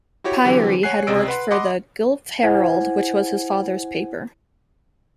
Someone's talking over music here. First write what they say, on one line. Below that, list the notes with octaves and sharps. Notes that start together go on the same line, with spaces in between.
Pirie had worked for the "Guelph Herald" which was his father's paper.
E4 F#4 G4 C#5
D3 E3 F#3 C4 G4 B4
C#5 F#5 G#5 F#6 C7
C#2 C3 D5 D#5 E6 D7
B4 F#5 C6
D#5 F#5 B5 C6 D6
E4 C5 F#5 G#5 G#6